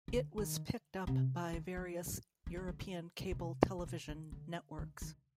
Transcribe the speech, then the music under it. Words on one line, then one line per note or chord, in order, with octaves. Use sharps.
It was picked up by various European cable television networks.
C3
D3
D#3
C3
D#3
F3
F3
D#3
D3
D#3
B2
C3
B2
C3
B2
D3
D3
D#3
D#3